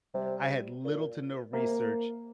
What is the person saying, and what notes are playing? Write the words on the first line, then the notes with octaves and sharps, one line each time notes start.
I had little to no research,
C3 G3
A#2
C3 A#3